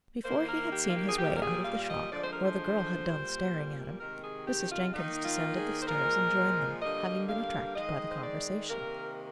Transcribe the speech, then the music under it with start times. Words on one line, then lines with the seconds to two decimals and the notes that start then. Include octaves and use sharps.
Before he had seen his way out of the shock, or the girl had done staring at him, Mrs. Jenkins descended the stairs and joined them, having been attracted by the conversation.
0.25 D#3 A#3 C5
0.48 A#4
0.71 G4
0.89 F4
0.95 G4
1.08 G#4
1.18 A#2 G3 A#3 G4
1.35 A#4
1.42 G#4
1.65 F5
1.89 D#5
2.12 D3 F3 G#3 D5
2.23 C5
2.33 A#4
2.44 C5
3.06 A#2 G3 A#3
4.00 C3 D#3 G#3 A#4
4.24 G#4
4.47 G4
4.71 F4
4.94 D#3 A#3 D#4
5.25 F4
5.56 G#4
5.82 C5
5.88 A#2 F3 G#3 A#4
6.81 D3 G3 A#3 D#5
7.28 F5
7.75 D#3 G#3 D#5
8.11 C5
8.23 D5
8.69 C3 D#3 A#3 A#4